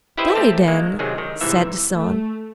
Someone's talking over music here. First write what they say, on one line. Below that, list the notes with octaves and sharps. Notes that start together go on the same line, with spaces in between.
'Die, then,' said the son.
E4 G4 B4 C5 D#5 E5
A3 C4 G4 A#4 A5
D#3 G#3 A#3
C3 D#3 F#3 G#3 G#4
D#3
G#2 C3 E3 E5
A3